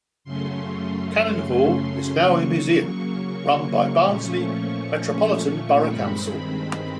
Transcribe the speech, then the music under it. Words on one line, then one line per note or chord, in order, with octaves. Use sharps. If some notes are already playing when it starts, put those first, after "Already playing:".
Cannon Hall is now a museum run by Barnsley Metropolitan Borough Council.
F#2 C#3 F#3 A3 C#4 C6
C#3 F#3 A#3 C#6
A#2 F3 A3 C#4 C#6
G2 D#3 G#3 C4 B5